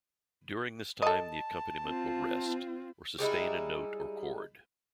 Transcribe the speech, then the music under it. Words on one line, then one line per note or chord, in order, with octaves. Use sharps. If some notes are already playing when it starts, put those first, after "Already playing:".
During this time the accompaniment will rest, or sustain a note or chord.
A4 D#5 A5
C4 F4
G3 G#3 D#4 E4